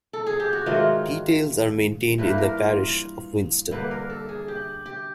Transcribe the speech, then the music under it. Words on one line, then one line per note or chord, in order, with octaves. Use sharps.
Details are maintained in the parish of Winston.
A4
G#4
G4
F#4
G#2 D#3 F#3 A3 F4
G2 E3 G3 A#3 B4
A#4
F4
D3 G3 A#3 B4
A#4
A4
G#4
G4
G4